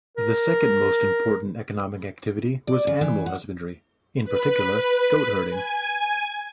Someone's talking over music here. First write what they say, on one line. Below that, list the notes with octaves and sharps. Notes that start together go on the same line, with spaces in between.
The second most important economic activity was animal husbandry, in particular, goat herding.
A#4
D5
C#3
E3
F#5
B4
G#5